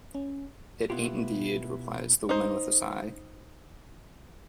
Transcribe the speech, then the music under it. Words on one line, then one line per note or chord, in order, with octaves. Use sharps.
"It ain't indeed," replies the woman with a sigh.
C#4
B2 B3 C#4 E4 F4 G4
D#4 C5